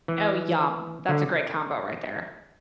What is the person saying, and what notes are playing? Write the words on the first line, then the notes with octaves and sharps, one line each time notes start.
Oh, yum. That's a great combo right there.
E3
D3